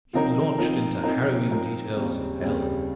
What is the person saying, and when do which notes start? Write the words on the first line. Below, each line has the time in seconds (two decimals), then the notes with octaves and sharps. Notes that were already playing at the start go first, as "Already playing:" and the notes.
He launched into harrowing details of hell.
0.13 F3 C4 D#4 A#4
0.58 F3 C4 D#4 A#4
1.03 F3 C4 D#4 A#4
1.49 F3 C4 D#4 A#4
1.95 D#2 C#3 G3 C4
2.40 D#2 C#3 G3 C4